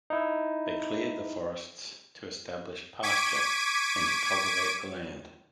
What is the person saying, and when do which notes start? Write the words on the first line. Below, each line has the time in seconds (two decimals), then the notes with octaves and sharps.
They cleared the forests to establish pasture and to cultivate the land.
0.10 D#4 E4
3.03 C#6 D6 G#6 B6 D7 D#7